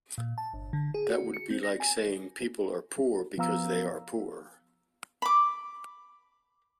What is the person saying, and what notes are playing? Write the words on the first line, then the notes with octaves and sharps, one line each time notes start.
That would be like saying, "People are poor because they are poor".
A#2
A5
G1
D3
G#4
F#4
C#7
C4
A#6
G#5
F3 B3 F5 A#5 E6
B5 D6